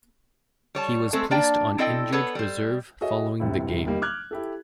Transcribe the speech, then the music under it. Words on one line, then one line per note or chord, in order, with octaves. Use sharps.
He was placed on injured reserve following the game.
G3 C#5 A5
G#3 A3 C4 A4
A#3 D4 D5 G5
C4 E4 A4 D5 D#5 G5
B3 A4 B4 C#5
G3 C5
F#4 G#4 A4 C#5 D#5 E5
D1 G1 C3 E4
G3 A#3 D#4
D6 F6 F#6 G#6
E4 G4 A4